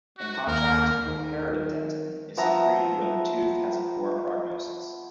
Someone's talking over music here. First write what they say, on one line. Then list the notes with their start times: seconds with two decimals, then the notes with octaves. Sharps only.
In contrast, reparative dentin is secreted when the tooth has a poor prognosis.
0.17 F#4
0.47 D#2 A#3 A#4
1.06 D#3
2.37 F3 B3 E5 A#5